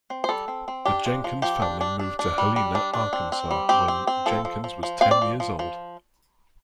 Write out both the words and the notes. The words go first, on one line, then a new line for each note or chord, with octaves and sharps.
The Jenkins family moved to Helena, Arkansas, when Jenkins was ten years old.
C4
C5
G3 A4
C4
C4
D4 G4
F3
F3
F3 G4
D4
D4
D4
D4
G3
G3
D4
D4
C4
C4
G3
C4 G4
C4
C4
F3 A4
F3
F3
F3
C4 F5
D5
F3
F3
F3